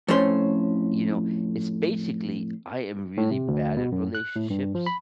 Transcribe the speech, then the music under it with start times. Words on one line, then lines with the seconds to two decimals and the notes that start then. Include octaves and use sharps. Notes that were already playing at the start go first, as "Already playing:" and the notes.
you know, it's basically, I am really bad at relationships,
0.08 F2 A2 A3 C#4 C5 C6
3.17 A2
3.31 C3
3.48 D2
3.77 B2
3.92 F#2
4.15 F#6
4.36 A2
4.50 G2
4.75 F3
4.86 B5